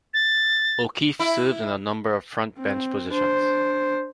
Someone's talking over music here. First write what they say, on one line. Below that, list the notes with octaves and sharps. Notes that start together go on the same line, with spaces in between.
O'Keeffe served in a number of frontbench positions.
A6
E4
C4
D4 C5